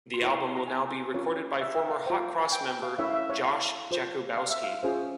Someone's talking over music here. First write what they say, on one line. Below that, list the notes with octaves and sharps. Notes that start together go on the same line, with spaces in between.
The album will now be recorded by former Hot Cross member Josh Jakubowski.
C6
E4 A#4 C#5 C#6
C6
C6
A#5
G#5
C#4 F4 A#4 C#5
E5
E5
F5
F4 C5 G5
G#5
G5
G5
F5
C#4 E4 A#4 C#5 E5
F5
E5
C#5
F5
F4 C5
F5
E5
F5
C#4 F4 G#4 C5